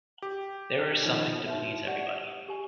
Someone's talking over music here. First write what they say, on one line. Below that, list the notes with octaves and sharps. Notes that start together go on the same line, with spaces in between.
There is something to please everybody.
G4
D#3 F3 C#4
D4 D#4 F#4 B4 C#5 E5
G4 D5 F#5
G4 G#5